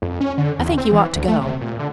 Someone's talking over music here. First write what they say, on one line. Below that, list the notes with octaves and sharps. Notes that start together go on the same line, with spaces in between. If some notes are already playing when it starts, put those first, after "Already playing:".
I think you ought to go.
F2
C#4
D3
E2
C4
E3
D2
A3
C3
A#2
D3